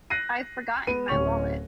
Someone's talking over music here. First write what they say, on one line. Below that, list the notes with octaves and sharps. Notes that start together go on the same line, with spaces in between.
I’ve forgotten my wallet.
F#6 A#6 C7 D#7
B3 D#7
D1 C#4 C#6 F7